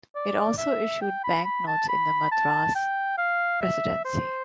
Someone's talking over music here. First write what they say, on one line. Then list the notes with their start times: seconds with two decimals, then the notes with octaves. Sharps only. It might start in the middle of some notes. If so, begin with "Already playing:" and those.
It also issued banknotes in the Madras Presidency.
0.15 D5
0.58 E5
1.02 G5
1.24 B5
1.45 B5
1.67 A5
1.89 B5
2.32 A5
2.75 G5
3.18 F5
3.62 E5
4.05 C5